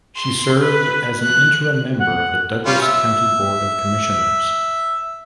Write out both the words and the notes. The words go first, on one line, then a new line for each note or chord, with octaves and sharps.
She served as an interim member of the Douglas County Board of Commissioners.
C6
B4
F#6
F#5
G3 C#4 F4
E5